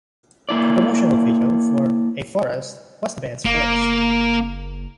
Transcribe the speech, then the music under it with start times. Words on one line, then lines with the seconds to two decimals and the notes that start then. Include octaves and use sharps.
The promotional video for "A Forest" was the band's first.
0.49 A#3 E4 D5
3.45 F#1 A#3